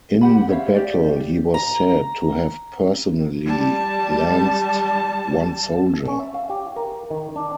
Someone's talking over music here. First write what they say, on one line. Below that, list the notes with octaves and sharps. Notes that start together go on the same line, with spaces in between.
In the battle, he was said to have personally lanced one soldier.
G4 F#5 B5
C5 C#5 E5 F5
G4 D5
A#5
G3 A5
C#4
E5
F5
G4
A#4
D#3
D4